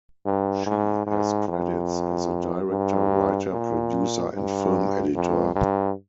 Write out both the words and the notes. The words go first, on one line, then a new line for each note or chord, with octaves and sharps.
She has credits as a director, writer, producer and film editor.
G2
G#2
G#2
F2
G2
A#2
G2
F2
G2